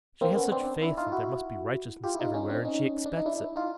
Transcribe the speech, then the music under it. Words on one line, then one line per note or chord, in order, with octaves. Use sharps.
She has such faith that there must be righteousness everywhere and she expects it....
A#3 C4
B3 C#4
C4 D4
D4 E4
D#4 F4
E4 F#4
F4 G4
E4
D#4 F4
C#4 D#4
C4 D4
C#4 D#4
D4
D#4
D4 E4
D#4 F4